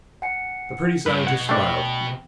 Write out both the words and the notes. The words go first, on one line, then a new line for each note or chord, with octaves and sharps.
The pretty scientist smiled.
F#5 G#5 C#7
G2 F4 B4
B2 F#5 G#6
A3 D4 G5